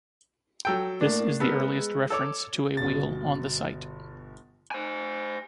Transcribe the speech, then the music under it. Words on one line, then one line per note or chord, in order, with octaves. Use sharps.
This is the earliest reference to a wheel on the site.
F#3 A4 G5
A2 A#3 D4
G#3 B3 A4 A#4
A4 C#5 D6
G1 B2 A6
C5 G#5